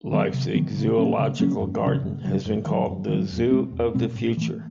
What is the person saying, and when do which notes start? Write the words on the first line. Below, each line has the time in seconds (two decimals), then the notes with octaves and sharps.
Leipzig Zoological Garden has been called the "Zoo of the future".
0.12 D#3 F#3 B3
0.34 C3
0.54 D#3 F#3 B3
0.76 C#3
0.97 F#3 A#3 C#4
1.19 C#3
1.39 F#3 A#3 C#4
1.60 F#2
1.82 C#3 F#3
2.02 F#2
2.25 C#3 F#3
2.45 F#2
2.66 D#3 F#3
2.87 F#2
3.09 D#3 F#3
3.30 E2
3.51 B2 G#3 C4
3.72 E2
3.94 B2 G#3 C4
4.16 A2
4.37 E3 A3